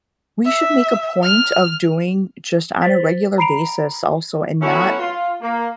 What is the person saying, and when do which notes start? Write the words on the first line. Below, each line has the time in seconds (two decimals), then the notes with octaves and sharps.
we should make a point of doing just on a regular basis also, and not
0.45 E5
1.23 F6
2.82 C5 A6 B6
3.38 A#5 B5 C7 D7 F7
4.62 F#3 A3 B3 C#4 E4 F#4
4.99 F4
5.42 A#3